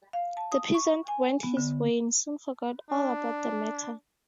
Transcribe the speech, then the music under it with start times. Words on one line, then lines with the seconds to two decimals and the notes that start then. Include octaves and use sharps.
The peasant went his way and soon forgot all about the matter.
0.13 F5
0.37 A5
0.52 D#6
0.74 C#6
1.08 G#5
1.43 B3
1.57 D3
2.90 D4